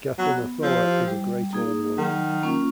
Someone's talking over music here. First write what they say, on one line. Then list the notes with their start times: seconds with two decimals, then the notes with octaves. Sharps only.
Ghatanothoa is a Great Old One.
0.18 F#3 B3
0.62 F3 E4 G4 C5
1.08 G3
1.53 A#3 D#4 G#4
1.98 D#3 F#3
2.43 A#3 C#4 F4